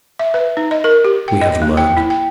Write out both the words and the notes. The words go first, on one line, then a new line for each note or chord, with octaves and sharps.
We have learned.
E5
B4
D#4
D#5
A#4
G4
G5
D#5
A#3
G5
E4
G5